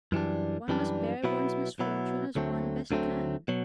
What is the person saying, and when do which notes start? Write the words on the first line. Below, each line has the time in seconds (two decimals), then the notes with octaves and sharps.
One must bear one's misfortune as one best can.
0.12 F#2 E3 G3 D4
0.68 F#2 E3 G3 D4
1.24 B2 F#3 B3 E4
1.79 B2 F#3 B3 E4
2.35 D2 D3 F#3 A3 C4
2.91 D2 D3 F#3 A3 C4
3.48 B2 F#3